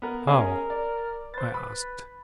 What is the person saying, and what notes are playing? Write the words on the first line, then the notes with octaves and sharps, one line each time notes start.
"How?" I asked.
B3 A#4
C#4 G#4 A#4 D#5
D5
B4 C5 A6
B5